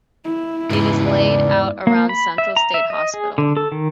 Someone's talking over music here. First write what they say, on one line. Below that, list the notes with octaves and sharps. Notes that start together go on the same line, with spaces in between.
It is laid out around Central State Hospital.
E4
E2 G#2 C#3 B4
D5
A#3
B5
E5
A#5
E5
D#5
G#4
D3
A4
D#3